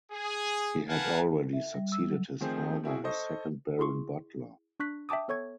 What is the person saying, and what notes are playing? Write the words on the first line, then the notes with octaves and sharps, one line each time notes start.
He had already succeeded his father as second Baron Butler.
G#4
A#4 B4 F5 F#5 G#5 A5
E5
G3
E6
F#3
D#3 F3 A3 C4 G#4 C5
C4 E4 F#4 G#4
A4 C5 D#5 C#6
E4 G#4 C6 C#6
D4 C#6 F#6 B6
E5 G5 A5 D6 D#6
B3 A4 C#5 C#6 G#6